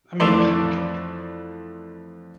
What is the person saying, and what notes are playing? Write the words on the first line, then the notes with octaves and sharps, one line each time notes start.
I mean, okay,
F2 E3 A3 D5 A5 C6